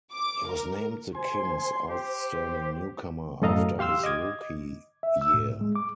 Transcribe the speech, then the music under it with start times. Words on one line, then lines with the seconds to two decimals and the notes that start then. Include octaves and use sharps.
He was named the Kings outstanding newcomer after his rookie year.
0.12 D6
0.46 A#4
1.15 C5 G#5 C6
1.88 G4 C5
3.42 F#2 A2 A4 D#5 F5 A#5
3.79 G4 F5 C6 E6 F6
4.04 D#5 D6 G#6
5.03 E5
5.21 E6
5.34 A2
5.61 G#3
5.76 D6